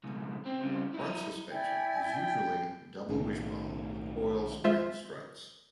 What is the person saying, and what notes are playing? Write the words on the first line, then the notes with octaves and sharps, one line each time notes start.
Front suspension is usually double wishbone with coil spring struts.
C#2 B2
C4
C#3 G3
E4 D#5
E4 D5 G5 G#5
G5
B1 A2 D#3
G#3 F4 C5 E5